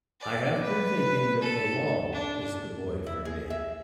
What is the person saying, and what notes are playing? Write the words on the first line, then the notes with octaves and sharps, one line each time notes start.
I have been thinking that the law is the boy for me.
D5
B4
A4
D4
E4
G#4
E5